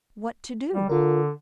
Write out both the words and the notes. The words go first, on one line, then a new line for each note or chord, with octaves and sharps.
"What to do?"
G3
D3 F4 A#4